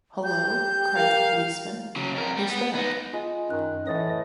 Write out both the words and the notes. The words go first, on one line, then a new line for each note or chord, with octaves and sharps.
"Hullo," cried the policeman, "who's there?"
G4 G6
A#4 F5
C#3 F#3
F2 A#4
G3
B3
B3 D#4
G#3 F4
F#2 D#3 F#6
A2 E3 C#5 D#5 D#6 A6